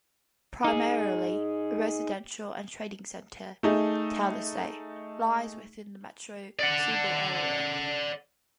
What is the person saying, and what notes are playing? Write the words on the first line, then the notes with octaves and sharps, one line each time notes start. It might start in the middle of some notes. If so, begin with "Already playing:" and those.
Primarily a residential and trading center, Talisay lies within the Metro Cebu area.
D#4 G#4
A3 D#4 G#4
D5 F#5